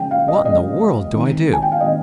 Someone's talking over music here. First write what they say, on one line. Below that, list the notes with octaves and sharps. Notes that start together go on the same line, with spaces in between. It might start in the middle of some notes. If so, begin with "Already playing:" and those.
What in the world do I do?
Already playing: C#3 F3 G#3 C#4 G5
F5
D#5
C#3 F3 G#3 C#4 D#5
D#3 G#3 C4
G#5
G5
F5
D#3 G#3 C4 D#5